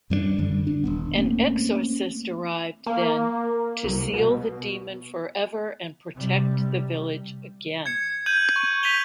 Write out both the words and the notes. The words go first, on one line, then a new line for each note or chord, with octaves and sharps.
An exorcist arrived then to seal the demon forever and protect the village again.
F#2 G3 A#3 D4
F#2 D3 G3
D4
D#1 C2 B3
A3 A#3 C4 C#4
A#3
C2
B2
C3 G3
G#6 C#7
G6 G#6 D#7 F#7
C#6
G6 B6 D#7 F7 G7